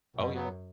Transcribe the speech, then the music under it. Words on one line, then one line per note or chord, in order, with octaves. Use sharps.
Oh yeah.
F#2 B2
F#3 B3